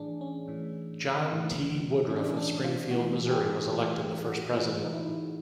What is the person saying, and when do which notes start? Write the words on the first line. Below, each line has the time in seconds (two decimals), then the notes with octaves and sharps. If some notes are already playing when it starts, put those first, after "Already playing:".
John T. Woodruff of Springfield, Missouri was elected the first president.
Already playing: A2 E3 D4 G#4
0.21 C#4
0.48 A2 E3
1.29 A2 E3
2.09 E3 C#4
2.14 A2 D4
2.24 C#4
2.37 D4
2.64 F4
2.90 A2 E3 F#4
3.27 G#4
3.31 G4
3.71 A2 E3 A4
3.98 G4
4.26 F#4
4.52 A2 E3 F4
4.84 D#4
4.93 E4